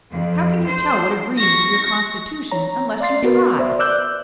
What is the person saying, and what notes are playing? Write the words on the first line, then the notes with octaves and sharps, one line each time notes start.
How can you tell what agrees with your constitution unless you try?
F2
C5
C#6 A#6
C#5 A#5
D5 F5 C6 A6 C7
B3 F#4 A#4 B4
C5 D5 E5
D5 D6 E6 F#6 G6